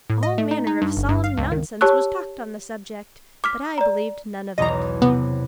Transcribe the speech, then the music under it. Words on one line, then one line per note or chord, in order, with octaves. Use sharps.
All manner of solemn nonsense was talked on the subject, but I believed none of it.
A2
D#5
A3
D#4
D#4
G2
G1
G2
F5
C#2
D#3
G4 C#5 A5 C#6 E6 F#6
D6 F6 B6
D5 A#5
B1 E2 D#5 A#5
C3 B3